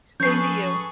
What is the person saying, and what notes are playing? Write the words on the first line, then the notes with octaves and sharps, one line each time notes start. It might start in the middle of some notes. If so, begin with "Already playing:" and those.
Same to you.
F3 C#4 G#4 A4 B4 C#6 G6 C7